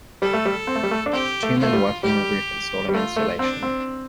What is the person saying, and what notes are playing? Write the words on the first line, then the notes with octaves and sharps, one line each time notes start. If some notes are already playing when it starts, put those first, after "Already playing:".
Two men working on a roof installing insulation.
G3 A4
A3
G3
C4
A3
G3
A3
D4
C4 G4
A3
A3 F4
G3
G3 G4
G3
A3 F4
A3
C4 D4
C4